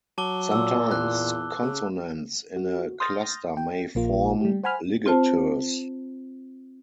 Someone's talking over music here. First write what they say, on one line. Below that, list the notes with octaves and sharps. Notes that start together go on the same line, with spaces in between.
Sometimes, consonants in a cluster may form ligatures.
F#3 A5 D6 G7
A#2 D6 E6
E2 F#6
C#3
F#4
C6 D#6 F6 G6 A6 A#6
G5
A#1 A#3 F4
G3 G4
C5 F#5 G#5 B5 F6
C4 F4 C5 A5